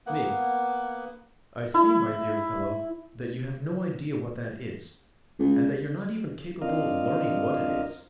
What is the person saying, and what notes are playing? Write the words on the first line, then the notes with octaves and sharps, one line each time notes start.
ME: I see, my dear fellow, that you have no idea what that is and that you're not even capable of learning what it is.
A#3 B3 F#5
E4
C#2
C4 D4 F4 A#4 D#5 F5